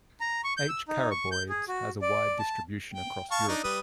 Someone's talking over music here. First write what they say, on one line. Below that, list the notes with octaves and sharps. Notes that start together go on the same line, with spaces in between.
"H. caraboides" has a wide distribution across Europe.
A#5
C#6
G6
E6
D#4
C#6
G6
G#4
F#4
D5
A5
G5
F5 A5 C#6
D4 D#4
G3 B4 D#6